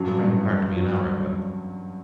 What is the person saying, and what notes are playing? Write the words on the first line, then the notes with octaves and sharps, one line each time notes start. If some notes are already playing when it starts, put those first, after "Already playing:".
"Mr. Brand wired to me an hour ago."
Already playing: G2 F#3 C#4
G2
G2
F#3